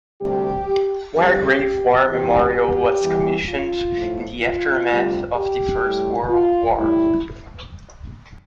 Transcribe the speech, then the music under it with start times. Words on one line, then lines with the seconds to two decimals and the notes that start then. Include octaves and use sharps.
Wargrave War Memorial was commissioned in the aftermath of the First World War.
0.20 D2 C3 G3 G4
1.14 F2 D3 G3 G4
2.08 E2 C3 E3 G4
2.55 G4
3.02 E2 E3 G3
3.49 F4
3.95 A2 F3
4.42 F4
4.89 D2 C3 G3
5.36 G4
5.83 A2 G3
6.29 F4
6.76 A2 G3 E4